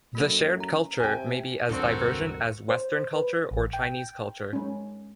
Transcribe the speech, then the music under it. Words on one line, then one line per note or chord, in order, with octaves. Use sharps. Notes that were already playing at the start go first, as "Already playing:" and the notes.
The shared culture may be as divergent as Western culture or Chinese culture.
F#2 A#3 A4
A#5
C3 G5 G#5
E1 C#2 G2 D3 C4 F#4 A4 A#4
C5
B4
A1
G5
G#3 C#4